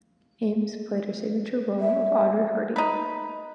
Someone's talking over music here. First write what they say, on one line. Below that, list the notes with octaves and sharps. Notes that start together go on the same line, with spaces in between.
Ames played her signature role of Audrey Hardy.
E5
D#4 B4